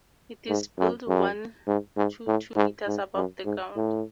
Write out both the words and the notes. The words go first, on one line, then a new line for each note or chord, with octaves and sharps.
It is built one to two metres above the ground.
G#2
F#2
F#2
G#2
G#2
A2
G#2
G#2
F#2
G#2
A2